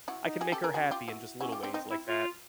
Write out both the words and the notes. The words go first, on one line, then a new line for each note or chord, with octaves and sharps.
I can make her happy in just little ways like that,
E4 F#4
D#4
F#4 G#4
G4 A4
G#4 A#4
C#4 F#4 G#4
F4 G4
E4 F#4
C#4 E4 F#4
F4 G4
C4 D4
C4 D#4
E4
F4